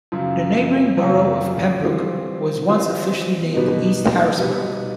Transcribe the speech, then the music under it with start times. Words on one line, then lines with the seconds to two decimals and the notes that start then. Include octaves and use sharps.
The neighboring Borough of Penbrook was once officially named "East Harrisburg".
0.12 F#2 C#3 F3
0.97 F#2 C#3 F3
1.83 E3 G3 C4 F4
2.69 E3 G3 C4 F4
3.54 B2 G3 B3 D#4
4.39 B2 G3 B3 D#4